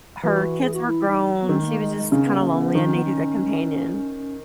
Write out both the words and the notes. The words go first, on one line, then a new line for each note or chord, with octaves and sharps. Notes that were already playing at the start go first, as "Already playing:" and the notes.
her kids were grown, she was just kinda lonely and needed a companion.
E3 F#4
G#4
F#4
E4
D#4
B3
D#3 C#4
G#3
A#3
G#3
G#3
C#3 C#4
B3
A#3
B3
D#3 D#4
C#4
B3
C#4